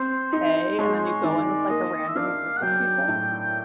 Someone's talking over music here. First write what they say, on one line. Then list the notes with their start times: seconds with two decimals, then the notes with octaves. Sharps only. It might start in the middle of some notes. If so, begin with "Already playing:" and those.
pay and then you go in with, like, a random group of people.
Already playing: C4 C5
0.33 D#4 C5
0.79 G#3 C#5
0.91 C5
1.03 C#5
1.24 D#3 D5
1.70 A#3 D#5
2.08 E5
2.15 D4 F5
2.57 F#5
2.62 F#3 G5
3.08 A2